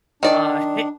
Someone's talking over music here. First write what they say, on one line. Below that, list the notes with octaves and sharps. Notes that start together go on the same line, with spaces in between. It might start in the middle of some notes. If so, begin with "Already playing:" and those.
uh, heh
D#3 D4 D5